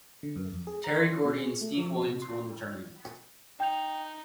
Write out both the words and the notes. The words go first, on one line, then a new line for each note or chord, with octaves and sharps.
Terry Gordy and Steve Williams won the tournament.
D3
F#2
F2
G#4
A#5
C6
B2
G#4
A3
F3
C3
C6
D#4 G5 G6 F7